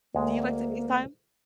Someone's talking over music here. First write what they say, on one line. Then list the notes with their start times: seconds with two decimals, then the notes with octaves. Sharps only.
Do you like to FaceTime?
0.15 D2 G#3 A#3